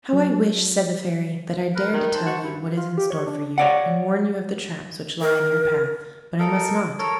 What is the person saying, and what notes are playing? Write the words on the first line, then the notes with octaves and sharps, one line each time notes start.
'How I wish,' said the Fairy, 'that I dared to tell you what is in store for you, and warn you of the traps which lie in your path, but I must not.
F#3
A#4 B4
D#3 D#4 B4
C5 A5
F#4
G2 E4
F4
G4
C#5
D4
C#5 D5 F#5
A#4
D#4 A4 A#4
A4 A#4 C#5